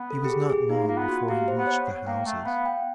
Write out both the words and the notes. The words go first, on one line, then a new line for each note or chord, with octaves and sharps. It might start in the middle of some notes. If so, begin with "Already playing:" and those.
He was not long before he reached the houses.
Already playing: B3
A4
G4
G#4
G#4
A#3 D#4
A#3 F4
B3
F#4
A#3 G4
C5
B3
C#5
F#5
A#3 G5
A3 F#5
B3 F5
G5